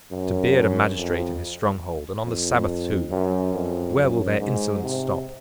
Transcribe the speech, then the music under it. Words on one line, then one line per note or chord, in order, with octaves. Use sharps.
To beard a magistrate in his stronghold, and on the Sabbath, too! Where will their insolence stop?
F#2
F2
F2
F#2
F2
F#2
G#2
C3